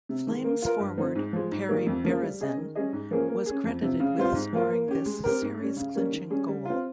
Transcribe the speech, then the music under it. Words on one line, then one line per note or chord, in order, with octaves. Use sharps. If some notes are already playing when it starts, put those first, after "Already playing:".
Flames forward Perry Berezan was credited with scoring this series-clinching goal.
C3
D#3 G#3
A#3
F4 A#4
G2
F3 C4 D#4
G#2
F3 G#3
G#2
D#3 G3 A#3
F2
C#3 F3 A#3
G3
C#4 G#4 D#5
D#3
G3 C#4 G#4 D#5
G#2
F3 A#3 C#4 G#4
A#3
C#4 G#4
F2
C3 F3
C#3
G3 C4 F4 C5
G#2
F3 A#3 F4
A#3
C#4 G4
G#3
C4 G4 A#4
G#2
G3 C#4
C#3
G3 A#3 C#4
D#3
G3 C#4 G#4
G3
C4 F4